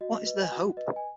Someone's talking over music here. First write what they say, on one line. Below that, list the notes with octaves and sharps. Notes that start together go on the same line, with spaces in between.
What is their hope?
F#4 D#5
B4 D#5
G#5
F#4 F#5
B4 D#5
G#5